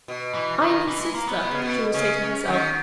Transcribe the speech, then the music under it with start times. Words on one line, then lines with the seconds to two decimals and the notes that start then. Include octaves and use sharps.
"I am his sister," she would say to herself.
0.08 B2
0.35 E3
0.62 D#3
0.88 E3
1.01 G#3
1.15 A#3
1.28 B3
1.41 B2
1.51 C#3
1.62 B2
1.94 C#3 C#4
2.48 D#3